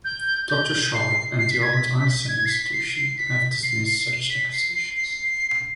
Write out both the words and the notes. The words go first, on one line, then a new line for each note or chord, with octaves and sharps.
Doctor Sharp and the Albert Einstein Institution have dismissed such accusations.
G6
G6
C7
C7
B6
G#6
B6
G#6
C7
B6
C7
C7
B6
C7
C7
B6
C7
C7
C7